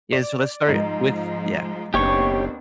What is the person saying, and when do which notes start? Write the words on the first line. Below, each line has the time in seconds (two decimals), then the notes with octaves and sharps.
Yeah, so let's start with yeah.
0.12 D5
0.67 G#2 F3 G#3
1.94 F#1 D#2 B3 C4 D4 G4 C#5 C#6